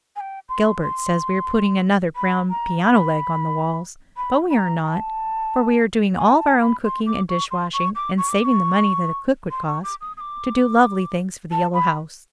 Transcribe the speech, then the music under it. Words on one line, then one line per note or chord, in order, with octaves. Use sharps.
Gilbert says we are putting another grand piano leg on the walls, but we are not, for we are doing all our own cooking and dishwashing and saving the money that a cook would cost, to do lovely things for the Yellow House.
G#5
G5
C6
C6
B5
A#5
B5
B5
B5
A#5
A#5
A5
G#5
A#5
A5
B5
C6
D6
C#6
C6
C#6
D6
C#6
D6
D6
C#6
C6
C#6
D6
D#6
D#6
D6
A5
B5